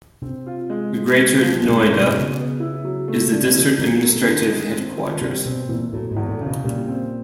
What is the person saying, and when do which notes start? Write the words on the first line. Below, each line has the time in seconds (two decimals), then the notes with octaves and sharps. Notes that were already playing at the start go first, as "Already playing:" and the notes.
Greater Noida is the district administrative headquarters.
0.22 C3 C4
0.46 F4
0.70 G#3
0.93 G#3
1.17 C4
1.41 F3
1.65 B2 G#3
1.83 B2
1.89 C#4
2.00 C3
2.12 B2
2.18 C#3
2.36 B3
2.60 E4
2.84 F#3
3.08 A3
3.32 D4
3.55 E3
3.79 D#3 F#3
4.02 A3
4.27 D3
4.50 G#3
4.74 C4
4.98 F3
5.21 C3 G3
5.45 B2 C4
5.69 A#2 E3
5.93 A2 F#3
6.11 G#2
6.17 E2
6.28 A2
6.41 C#3
6.46 B2
6.64 A#2 G3
6.88 C4